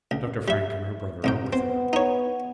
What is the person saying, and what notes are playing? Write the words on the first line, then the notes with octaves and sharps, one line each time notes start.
Dr. Frank and her brother are with her.
C#2
G3 E5
C2 G#2 G5
B3 C4
D#4 C#5